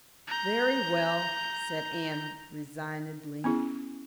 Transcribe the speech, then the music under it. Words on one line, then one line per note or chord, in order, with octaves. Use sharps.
"Very well," said Anne resignedly.
A#5 G6
B3 C#4 E4 G#4